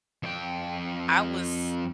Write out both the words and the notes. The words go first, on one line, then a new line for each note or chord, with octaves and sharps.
I was,
F2 G5